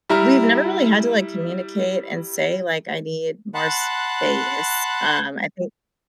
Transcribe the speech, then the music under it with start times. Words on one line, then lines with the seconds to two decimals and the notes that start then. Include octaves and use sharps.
we've never really had to, like, communicate and say, like, "I need more space," um, I think
0.09 G3 E4 A#5 F6
3.55 F#5 A5 B5 C6 F#6